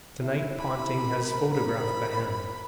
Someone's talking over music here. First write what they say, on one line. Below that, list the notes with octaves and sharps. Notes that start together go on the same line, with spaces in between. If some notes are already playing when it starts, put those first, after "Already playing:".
To-night Ponting has photographed the hand.
E4
B5
G#1 C4 A#4
B5